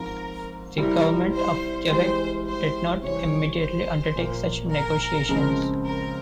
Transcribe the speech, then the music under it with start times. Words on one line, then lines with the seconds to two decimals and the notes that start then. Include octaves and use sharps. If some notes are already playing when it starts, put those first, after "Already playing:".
The government of Quebec did not immediately undertake such negotiations.
Already playing: G#2 F3 C4 F4 A#4
0.77 C3 G3 C4 E4 A#4
1.33 C5
1.89 E3 G#3 E4 G4 C5
2.46 C5
3.02 C3 E3 G3 C4 C#5
3.59 C5
4.15 A#2 F3 A#3
4.72 A#4
5.29 C#2 C#3 F3 G#3 C4
5.85 A#4